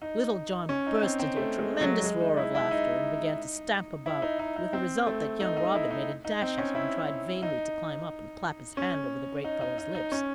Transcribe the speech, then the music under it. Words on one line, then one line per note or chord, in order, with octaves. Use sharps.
Little John burst into a tremendous roar of laughter, and began to stamp about, with the result that young Robin made a dash at him and tried vainly to climb up and clap his hand over the great fellow's lips.
D#4
C#4
D#4
C4
C4
A3
G#3
F#3
G#3
D#4
E4
E4
D#4
E4
D#4
D#4
D#4
C4
A3
D#4
D#4
E4
D#4
D#4
C4
C#4
E4
D#4
C#4
D#4
D#4
D#4
D#4
C#4